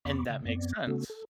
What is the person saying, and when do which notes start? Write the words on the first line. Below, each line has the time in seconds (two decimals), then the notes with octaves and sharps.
and that makes sense.
0.05 F2 B3 B5 C#6 D6
0.30 C#3
0.45 F#2 B3 C4 D5
0.87 C#3 A3 B3 C#4 F#4 A4
1.10 A4